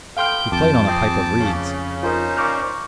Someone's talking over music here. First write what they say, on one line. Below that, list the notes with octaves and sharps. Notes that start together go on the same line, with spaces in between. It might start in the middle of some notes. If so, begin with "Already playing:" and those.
He played on a pipe of reeds.
B3 A4 F5 G5 C6 F6
F2 A5 D6
C4 G#4
C#3
C#4 D#4 F4 A#4 C5
A#2 C#6 D6 F6